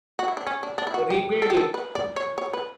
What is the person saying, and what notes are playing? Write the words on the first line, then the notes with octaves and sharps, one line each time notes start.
Rebuild it!
F#4
E4
D4
C#4
D4
D4
E4
F#4
G4
A4
G4
A4
B4
D5
C#5
C#5
B4